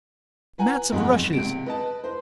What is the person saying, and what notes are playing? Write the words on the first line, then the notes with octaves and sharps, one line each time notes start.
Mats of rushes.
B4 F#5 G#5 A#5
B1 F2 G#3 F#5 B5
C#2 C3 D7
B4 D#5 A5
B4 C5